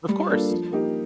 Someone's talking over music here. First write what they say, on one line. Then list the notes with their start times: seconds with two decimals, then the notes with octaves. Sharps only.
Of course.
0.09 G3
0.29 A#3 D4 F4 A4
0.50 F3
0.72 A#3 D#4 G4